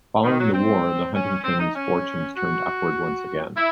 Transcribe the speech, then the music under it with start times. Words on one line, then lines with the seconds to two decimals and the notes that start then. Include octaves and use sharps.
Following the war, the Huntington's fortunes turned upward once again.
0.24 D#3
0.39 F#3
0.54 C4
1.14 C#4
1.44 C4
1.60 D#4
1.75 C#4
2.36 F#4
3.56 E4